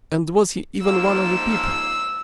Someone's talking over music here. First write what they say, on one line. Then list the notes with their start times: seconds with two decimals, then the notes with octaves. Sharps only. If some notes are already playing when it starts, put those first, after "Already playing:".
And was he even one of the people?
0.84 G#2 F3 A#3 E6